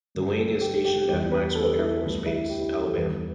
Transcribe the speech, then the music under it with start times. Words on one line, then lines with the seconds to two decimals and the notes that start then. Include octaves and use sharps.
The wing is stationed at Maxwell Air Force Base, Alabama.
0.15 G2 D3 G3
0.38 A4
0.61 G4
0.85 G4
1.08 E2 E3 G3 G4
1.32 B4
1.55 A4
1.78 E4
2.02 D2 D3 G3
2.26 E4
2.49 G4
2.61 E4
2.72 G4
2.84 A4
2.96 E2 E3 G3 B4